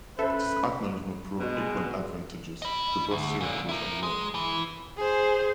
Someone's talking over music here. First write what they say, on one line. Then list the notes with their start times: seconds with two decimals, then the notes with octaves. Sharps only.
This acknowledgment proved equally advantageous to both Syracuse and Rome.
0.19 C#4 A4 B4 C5 E5
1.39 B2 G#3
2.62 D#5 B5
3.11 D2
3.41 A#2 D3
3.69 E4 A#4
4.03 G#3
4.34 E3
4.97 G#4 C5